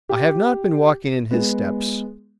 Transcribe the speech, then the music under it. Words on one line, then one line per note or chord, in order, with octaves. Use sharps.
I have not been walking in His steps.
G4
G#3 B3